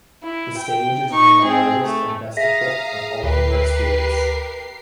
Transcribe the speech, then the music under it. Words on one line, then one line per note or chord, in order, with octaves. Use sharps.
The stage is among the largest and best-equipped of all of New York's theaters.
E4
G5
D#4 C#6
C4 G#4
A3
G#4 E5 F5 A#5 D#6 A#6 B6
D2 G4 A#4 B4 C7